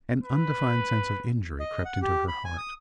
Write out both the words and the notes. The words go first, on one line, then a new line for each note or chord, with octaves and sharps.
An undefined sense of injury crept into her heart.
B4
D#5
F#5
G4
B5
G#5
D#6